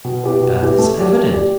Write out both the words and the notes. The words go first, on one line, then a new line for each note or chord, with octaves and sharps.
That is evident.
B2
B3 E4 G4 B4
B2
B3 E4 G4 B4
A3
G4 D5
A3
G4 D5